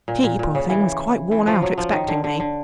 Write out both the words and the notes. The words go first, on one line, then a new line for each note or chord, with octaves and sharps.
She, poor thing, was quite worn out expecting me.
A#2
A#2
A#2
C#3
E3
E3
F3
F#3
F3
D#3
D3
D3
D3